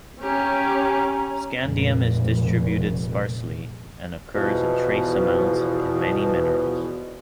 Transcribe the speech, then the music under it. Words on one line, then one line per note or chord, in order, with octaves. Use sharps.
Scandium is distributed sparsely and occurs in trace amounts in many minerals.
C#4 G4 A#5
F1 A#2 G#3
E2 B2 F3